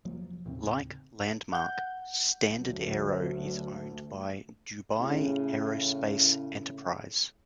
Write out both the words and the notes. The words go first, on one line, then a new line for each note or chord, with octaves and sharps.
Like Landmark, StandardAero is owned by Dubai Aerospace Enterprise.
F1 F3 F#3 A#3
D#2 A2 C#3 C4
F#5 G6
D2 F#3
A2 C#3